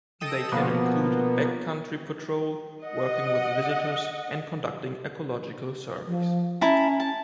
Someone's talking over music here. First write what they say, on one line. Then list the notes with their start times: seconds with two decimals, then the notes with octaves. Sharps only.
They can include backcountry patrol, working with visitors, and conducting ecological surveys.
0.20 A4 D#5 G5 D#6 D#7 E7
0.52 B2 F3 A#3 B3 F#4
2.82 D#5 F#5
6.07 F3
6.61 C#4 E4 A5 A#5
7.00 A5